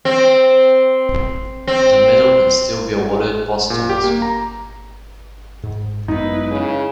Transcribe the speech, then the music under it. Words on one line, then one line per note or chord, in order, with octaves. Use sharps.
The medal can still be awarded posthumously.
C4
C4
A#2
G4
A#3
A#5
G#2
F#2 G#3 B3 D#4 E4 B4
C#3